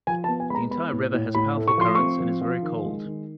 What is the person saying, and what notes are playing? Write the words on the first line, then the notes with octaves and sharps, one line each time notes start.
The entire river has powerful currents and is very cold.
F3 G#5
A5
B3
G#5
G#3 A#5 B5
B3 B5
A2
A2
A2 B5
A3
C#6
F3 C6
C4 C#6
F3
F3
D#3
G#3
D#3